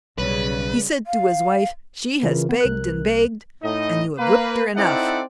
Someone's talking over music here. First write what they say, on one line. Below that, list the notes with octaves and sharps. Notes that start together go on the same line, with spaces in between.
He said to his wife she has begged and begged and you have whipped her enough.
B1 C#3 G3 B4
F5
C#3 E3 F4 A#4
B3
C2 A#4 F#6
A2 D#4 D#5
A#3 B4
C4 D#4 E4 A4 D5 F#5